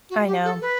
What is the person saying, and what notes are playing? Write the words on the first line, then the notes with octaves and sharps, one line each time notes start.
I know,
F#4
G4
A4
B4